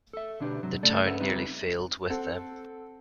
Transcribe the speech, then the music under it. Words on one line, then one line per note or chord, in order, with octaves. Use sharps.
The town nearly failed with them.
A4 E5
B2 D3 D4 E4 G4 B4
G#2 C3 F#3
C#2 G2 C#3 A3 A4 D5
C#4 G#4 A4 B4 E5 F#5
C#2 G3 C4 D#4 B4 E5
C4 A4 F#5